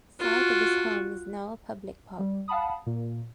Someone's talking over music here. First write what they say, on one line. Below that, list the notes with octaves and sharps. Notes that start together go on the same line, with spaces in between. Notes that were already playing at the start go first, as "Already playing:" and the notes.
The site of his home is now a public park.
F4 F#4
G3
F5 F#5 A5 B5 D#6
A#2